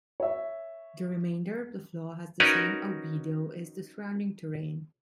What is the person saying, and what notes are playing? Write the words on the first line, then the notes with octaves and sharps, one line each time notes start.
The remainder of the floor has the same albedo as the surrounding terrain.
C#5 E5
C#4 D#4 F#4 A#4 B4 D5